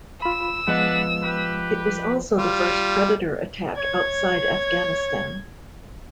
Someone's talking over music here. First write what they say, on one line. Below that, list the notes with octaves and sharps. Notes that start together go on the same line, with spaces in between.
It was also the first Predator attack outside Afghanistan.
F4 B5 E6
F3 G#3 B3 D4 B4 D#5 F#5
G4 B4
G3 F4
C#5 G#6